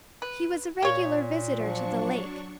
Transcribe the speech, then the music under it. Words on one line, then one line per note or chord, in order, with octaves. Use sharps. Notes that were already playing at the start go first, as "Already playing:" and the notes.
He was a regular visitor to the lake.
B4
A#2 A#3 C#5
F3 F#3 D4 C#6